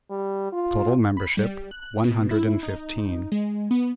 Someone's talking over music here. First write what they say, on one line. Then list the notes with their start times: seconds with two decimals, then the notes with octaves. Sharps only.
Total membership, one hundred and fifteen.
0.10 G3
0.52 F4
1.17 B5
1.37 G3
1.71 F#6
2.04 B2
2.31 E4
2.63 D#4
3.32 G#3
3.71 B3